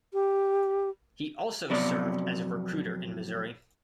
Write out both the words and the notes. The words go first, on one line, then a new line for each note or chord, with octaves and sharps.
He also served as a recruiter in Missouri.
G4
F2 C3 F#3 B3 D5